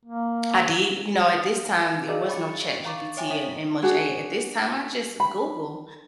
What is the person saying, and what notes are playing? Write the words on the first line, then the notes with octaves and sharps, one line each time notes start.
I did You know, at this time there was no ChatGPT and and much a at this time, I just Google,
A#3
F#4 G#4 D5 D#5 F5 D6
G5 B5 C#6 A6 C#7
F5 A#5 C#6 D6 A6
C#5 E5 G5 G#5 C#6
D4 C#5 E5 G5 B6
D4 F#4 G#4
B5